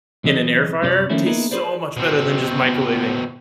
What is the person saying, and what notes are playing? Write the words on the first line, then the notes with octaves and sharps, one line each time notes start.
in an air fryer, tastes so much better than just microwaving.
B1 E3 C4 D#5
F#2 C3 F4 A4 C#5 D5
D#3 F3 A3 A#3 C#4 E4
A#3 B3 D#4 E4 G#4 A#4
F4 F#4 G#4 B4 C5 D5
B2 C4